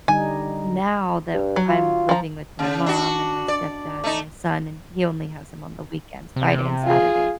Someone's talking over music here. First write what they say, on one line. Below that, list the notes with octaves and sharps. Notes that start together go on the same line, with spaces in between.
now that I'm living with my mom and my stepdad and my son, and he only has him on the weekends- Friday and Saturday.
D3 G3 D#4 G#5
G2
F#3
F4
F3 A#5
C#3
D4 F#4
D5
A3 D#4
C3
F4 G#4